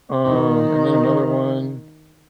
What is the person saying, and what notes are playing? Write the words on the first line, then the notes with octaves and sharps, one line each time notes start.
um, and then another one
D#3